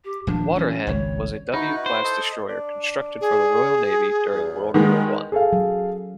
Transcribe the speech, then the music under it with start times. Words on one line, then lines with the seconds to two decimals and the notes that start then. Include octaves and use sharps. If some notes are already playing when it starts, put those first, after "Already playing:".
"Waterhen" was a W-class destroyer constructed for the Royal Navy during World War One.
0.05 G4
0.27 D#1 F3 D4
0.56 E3 F#3 C#4
0.87 G#1 C#2 C#5
1.54 D#4 E4 F#4 B4
1.86 C5
2.04 A4 D#5
2.48 D4
3.21 G#4
4.33 E2
4.74 D#3 G#3 B3
5.32 G#4 A4 F5
5.53 F#3